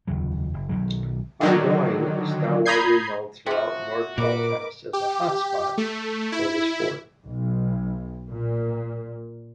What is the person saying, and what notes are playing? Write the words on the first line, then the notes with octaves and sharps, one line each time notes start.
Ardoyne is now widely known throughout north Belfast as a hotspot for the sport.
F1 D#2 C#3 F#3
F#1
B1 D#3 F#3
D3 D#3 F#3
A#5 B5 D#6 G6 G#6 C7
C3 F3 F#4
A#2 A#4 B4 D6
G4
A3
E4
B1
A#2